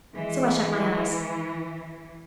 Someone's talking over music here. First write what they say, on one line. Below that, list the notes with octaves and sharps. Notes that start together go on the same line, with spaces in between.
So I shut my eyes.
E3 G#3